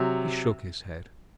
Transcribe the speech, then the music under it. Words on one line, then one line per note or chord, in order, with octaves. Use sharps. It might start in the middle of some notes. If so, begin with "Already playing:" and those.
He shook his head.
Already playing: C3 F#3